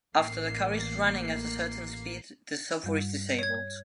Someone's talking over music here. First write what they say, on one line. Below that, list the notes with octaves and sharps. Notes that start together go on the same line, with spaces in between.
After the car is running at a certain speed, the software is disabled.
A1 A#3 C7
G2 G3
C#5 G#6